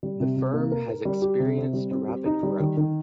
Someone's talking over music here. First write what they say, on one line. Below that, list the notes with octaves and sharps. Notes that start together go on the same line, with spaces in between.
The firm has experienced rapid growth.
G3
C3
C3
A#3
A#4
A#4
G3
G4
C3
C4
G3
C4
G4
D#4
G3
D#3
D#3